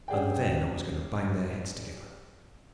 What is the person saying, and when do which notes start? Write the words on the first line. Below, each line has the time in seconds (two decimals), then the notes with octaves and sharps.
And then I was going to bang their heads together.
0.08 C#4 G4 G#4 D5 F#5 G5